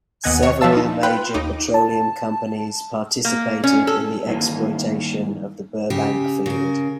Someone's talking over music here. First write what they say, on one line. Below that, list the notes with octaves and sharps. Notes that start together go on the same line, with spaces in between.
Several major petroleum companies participated in the exploitation of the Burbank Field.
D#2 B3 D#5 F#5 G#5
C#5 C#6
F3 B3 E5 F5 A5 E6
F3 D#4
F4 B4 G5 B5
D#2 D#4 D6
A5
A#3
C#4
A4
E2 G2 D#3 E3 A#3
C#3 G4
C#3 A#4